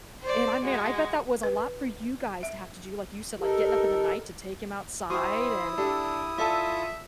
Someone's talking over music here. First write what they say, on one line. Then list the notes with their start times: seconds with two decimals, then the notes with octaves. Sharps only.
and I man, I bet that was a lot for you guys to have to do, like you said, like, getting up in the night to take him outside and
0.22 C5 D5
0.64 G#3 F#4
1.43 B4
2.43 E5
3.41 D#4 G4 A4 A#4
5.10 E4 F#4 C5 G5 C#6 D#6
5.78 D4 G4 A4 D5
6.38 F4 A4 D5 E5 G#5 A5